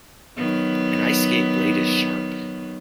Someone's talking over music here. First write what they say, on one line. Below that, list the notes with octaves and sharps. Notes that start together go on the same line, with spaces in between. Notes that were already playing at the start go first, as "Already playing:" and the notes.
An ice skate blade is sharp.
D#3 F#3 B3